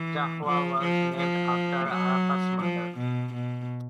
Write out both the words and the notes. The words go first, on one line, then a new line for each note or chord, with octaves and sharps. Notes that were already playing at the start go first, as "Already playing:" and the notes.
Zahwa was named after Arafat's mother.
Already playing: E3
F3
F3
F3
F#3
F3
B2
B2